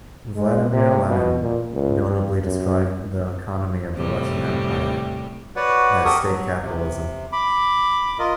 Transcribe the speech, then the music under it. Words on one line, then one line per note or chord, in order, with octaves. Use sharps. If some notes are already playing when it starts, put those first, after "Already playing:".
Vladimir Lenin notably described the economy of the Russian Empire as state capitalism.
G#3
C3
B2
A#2
C#2
G2
F#2
A2 C3 G3
F#4 B4 C#5 D5 F#5
F#4 G4 A4 A#4 D#6
F#3
C3
B5 D6
F4 A#4 D#5